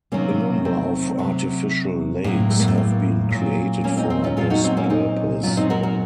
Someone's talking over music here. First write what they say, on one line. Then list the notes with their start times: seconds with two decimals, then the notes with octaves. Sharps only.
A number of artificial lakes have been created for this purpose.
0.12 C3 D#3 F#3 A#3 C#4
0.65 A3 C4
1.19 C3 F#3
2.24 A2 F#3 A#3
2.50 A3
2.60 A#3
2.68 A3
2.78 A#3
3.31 A#2 F#3
3.84 A#3 C#4
3.97 C4 D#4
4.10 C4 D#4
4.24 C#4 F4
4.37 A#2 F#3 F4 A4
4.50 D#4 F#4
4.64 C4 D#4
4.77 A#3 C#4
4.90 C4 D#4
5.43 A#2 F#3 C#4 F4
5.57 C4 D#4
5.70 F#4 A#4
5.83 F#4 A#4